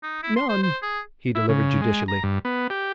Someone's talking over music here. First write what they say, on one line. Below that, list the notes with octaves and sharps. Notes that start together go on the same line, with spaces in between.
"None," he delivered judicially.
D#4
E4
C6
C5
C5
G#4
E4
C#3
G#3
A#5
G2
B3
G4